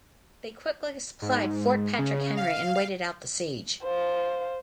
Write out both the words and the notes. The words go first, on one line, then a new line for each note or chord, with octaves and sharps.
They quickly supplied Fort Patrick Henry and waited out the siege.
G#2
C#3
F5
C5 F5